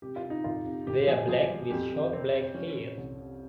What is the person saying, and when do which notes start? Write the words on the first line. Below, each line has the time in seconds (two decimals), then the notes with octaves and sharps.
They are black with short black hair.
0.02 C3 G4
0.16 F4
0.24 C3
0.30 D#4
0.44 F2 F4
0.65 C3
0.87 G1 G4
1.07 F3 G#4
1.28 F3 G#4
1.50 F3
1.70 F2 G4
1.91 F2
2.12 C3 C4
2.34 C3
2.54 F3 C#4
2.76 C3
2.97 C2
3.17 C3